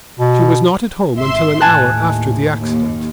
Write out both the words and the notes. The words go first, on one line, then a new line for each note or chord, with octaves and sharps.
She was not at home until an hour after the accident.
B2
G#1 E5 C6
D#2 A2 G#5 A5 F#6
D#2